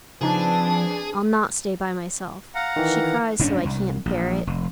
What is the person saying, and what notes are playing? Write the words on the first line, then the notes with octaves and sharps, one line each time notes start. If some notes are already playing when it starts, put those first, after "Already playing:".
'I'll not stay by myself. She cries so I can't bear it.
C#3 F3 C4 D4 D#4 G#4 B4
F5 F#5 A#5
D#3 E3
F#1 G#2 C#4 D4
C2
A#1
F1